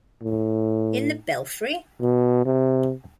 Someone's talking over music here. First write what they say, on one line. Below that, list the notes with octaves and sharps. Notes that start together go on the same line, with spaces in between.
In the belfry?!
A2
B2
C3